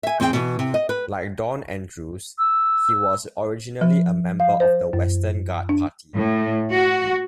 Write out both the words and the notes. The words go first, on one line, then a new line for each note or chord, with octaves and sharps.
Like Don Andrews, he was originally a member of the Western Guard Party.
E5 G#5
E2 C4 G#4 G5
B2 E3
C3
D#5
B4
E6
F3
F5
C5
F#2
D4
A2
F#4